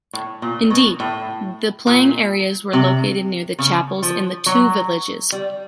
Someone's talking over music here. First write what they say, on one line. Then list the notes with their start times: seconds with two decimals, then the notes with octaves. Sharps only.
Indeed, the playing areas were located near the chapels in the two villages.
0.13 A2
0.42 A#2
0.70 B2
1.00 A2
1.87 A#2
2.73 C3
3.59 C#3
4.02 F3
4.46 F#3
5.32 G3